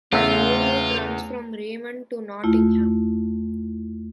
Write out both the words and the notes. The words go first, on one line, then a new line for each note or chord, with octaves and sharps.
The road runs from Raymond to Nottingham.
E2 C#3 A3 F4 E5
E2 A3 E4 F4